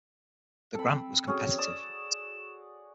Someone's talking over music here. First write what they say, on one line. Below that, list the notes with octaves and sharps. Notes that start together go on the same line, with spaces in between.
The grant was competitive.
C4 A4 B5
C#4 F#4 G#4
D5 D#6 E6